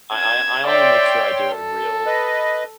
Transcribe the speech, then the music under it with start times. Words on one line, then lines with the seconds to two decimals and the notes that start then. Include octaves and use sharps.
I I I only make sure I do it in real,
0.14 G#6 E7
0.67 C#5 D5 E5 G5 C6
1.52 A4
2.06 B4 D#5